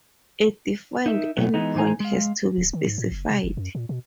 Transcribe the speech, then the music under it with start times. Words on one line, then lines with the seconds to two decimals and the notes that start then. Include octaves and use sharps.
A defined endpoint has to be specified.
1.06 D#4 A#4 E5
1.37 B2 F#3 A3 B3
1.54 E3 G#3 B3 D#4
1.75 A2 E3 D#4 C5 G#5 A#5
2.00 G#3 F5
2.58 D1
2.73 D#3
2.85 G#2
2.98 A2
3.11 F#1
3.29 C3
3.44 F#1
3.57 F#2
3.75 A#2
3.89 B2